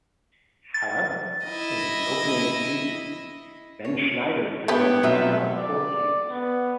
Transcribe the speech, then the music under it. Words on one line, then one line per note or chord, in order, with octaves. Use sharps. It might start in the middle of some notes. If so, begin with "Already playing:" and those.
However, in the opening season Benschneider played only twelve full games.
A6
E4 D#5
C#5
D3 B3 G4 B4 C#5 G5
B2 F#3 C4 F4 E5
D5
B3